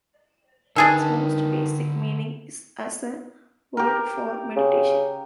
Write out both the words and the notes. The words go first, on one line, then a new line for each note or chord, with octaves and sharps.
Its most basic meaning is as a word for meditation.
D3 D#3 D4 G#4 A4 B4
G4 A#4
C#3